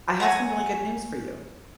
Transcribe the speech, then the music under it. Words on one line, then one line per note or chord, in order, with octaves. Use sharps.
I have some really good news for you."
C#5 F#5 G#5 A#5